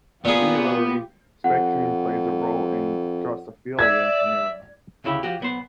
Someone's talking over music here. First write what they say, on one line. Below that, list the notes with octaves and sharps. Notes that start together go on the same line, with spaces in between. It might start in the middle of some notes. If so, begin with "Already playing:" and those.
Similarly, spectrin plays a role in "Drosophila" neurons.
A#2 B3 F4 G4 G#4
F2 F#5
D5 E5 G#6
D2 C#3 E4 F4 G4
F3 F#4 G4
B1 B3 C5